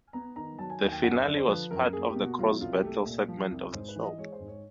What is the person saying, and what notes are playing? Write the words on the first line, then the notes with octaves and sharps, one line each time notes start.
The Finale was part of the Cross Battle segment of the show.
B3 A#5
D#3 A#5
F#3 A5
G#5
D#2 G#5
G5
F#2 F#5
E5
D3 D5
C5
F3 B4
F#2 A#4
A#3 G#4
G4
B2
F#4
F#3 F4
E4
C2 F4
G4
A3
A#2
F3
C2
G#2 C5
B4
E3
D#5
G#3 C#5
C5
G#2
C#5